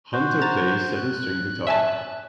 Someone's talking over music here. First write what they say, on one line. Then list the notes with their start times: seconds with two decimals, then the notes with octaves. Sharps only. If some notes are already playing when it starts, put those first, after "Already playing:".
Hunter plays seven-string guitar.
0.13 F#4 C5
0.42 A#5 A6
0.95 F#6
1.67 E5 G#5 A5